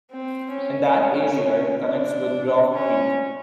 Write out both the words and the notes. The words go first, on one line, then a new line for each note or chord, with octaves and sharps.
In that area, it connects with Groff Creek.
C4
C#4
D4
C#4